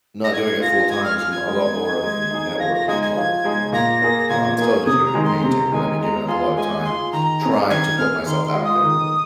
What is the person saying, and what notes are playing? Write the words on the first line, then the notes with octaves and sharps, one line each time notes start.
not doing it full time is m a lot more of the networking part, um, like, I'm still just gonna be painting, but I'd be giving up a lotta time trying to put myself out there, really.
A#6
G#3 G#6
F4 G#4 A#6
G#3 G#6
F6
F4 G#4 F6
G#6
G#3
D#4 G#4
G#3
D#4 G#4
F3 A#6
A#6
G#3 D#4 G#4 G#6
G#6
F3
G#3 D#4 G#4
A#2 A#6
A#3 G#4
A#2 G#6
A#3 G#4 G#6
C3 D#6
A#5
D#3 G#3 D#4 G#4
C6
C3 A#5
D#3 G#3 D#4 G#4 G#5
G#3 A#5
F4 G#4 C6
G#3 G#5
F4 G#4 C6
D#3 A#5
C4 G#4
D#3 G#6
C4 G#4 F6
D#3 C6
C6
G#3 F4
D#6
D#3